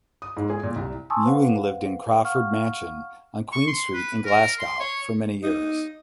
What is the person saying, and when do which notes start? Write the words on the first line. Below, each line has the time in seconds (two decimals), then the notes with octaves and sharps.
Ewing lived in Crawford mansion on Queen Street in Glasgow for many years.
0.22 D#6
0.37 G#2
0.50 G#4
0.63 A#2
0.76 C2
1.10 G#5 A5 C6 C#6 D#6 E6
1.25 B4 C5 F5 F#5
2.24 F5 F#5 C#6 F6
3.52 C#6
3.68 C6
3.94 B4
4.25 A#4
4.60 C6
4.80 C#5
5.43 D#4